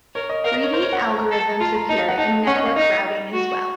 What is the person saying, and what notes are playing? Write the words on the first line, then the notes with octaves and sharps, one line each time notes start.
Greedy algorithms appear in network routing as well.
A#4 C#5
D#5
A#4 F5
D#5
C#5
A#4 C5
C#5
F#5
A5
A#5
A4
F4 A5
A#5
D#4 A5
F5
F#5
D#4 A5
C#4 F#5
D#5
F5
D#4 D#5
F#4